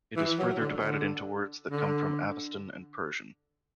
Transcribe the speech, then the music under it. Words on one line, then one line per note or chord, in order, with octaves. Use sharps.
It is further divided into words that come from Avestan and Persian.
E3
F#3
D3
D3
D3